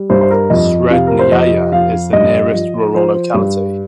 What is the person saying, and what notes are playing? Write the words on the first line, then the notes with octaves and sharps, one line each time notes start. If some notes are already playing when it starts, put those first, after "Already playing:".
Srednyaya is the nearest rural locality.
Already playing: G3
G2 C5
C5
A#4
F2 D#5
C3 F5
A#4
C5
F2 D#5
F3 F5
G2 D#5
F3
F3 C5
G2